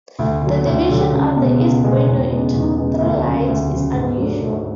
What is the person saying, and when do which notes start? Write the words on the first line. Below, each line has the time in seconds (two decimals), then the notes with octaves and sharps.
The division of the east window into three lights is unusual.
0.19 D2
0.42 D3 F#3
0.66 D2
0.89 D3 F#3
1.12 C#2
1.36 B2 G#3 B3
1.60 C#2
1.83 B2 G#3 B3
2.07 E2
2.30 C#3 G#3 B3
2.53 E2
2.77 C#3 G#3 B3
3.01 D2
3.24 C#3 F#3
3.47 D2
3.71 C#3 F#3
3.94 G#2
4.17 F#3 A3 D4
4.41 G#2